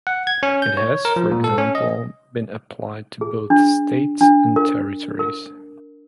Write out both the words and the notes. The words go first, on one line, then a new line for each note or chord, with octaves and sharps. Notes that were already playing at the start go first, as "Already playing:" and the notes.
It has, for example, been applied to both states and territories.
F#5
G#6
C#4
G6
C#5
A#4
F3
A#2
A4
C#4
D#5
G#4
D4
D4
A#4
A#4